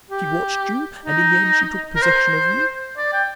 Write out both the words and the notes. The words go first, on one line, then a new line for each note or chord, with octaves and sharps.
She watched you, and in the end she took possession of you?
G4
D#4
A#4
C5
D5
G5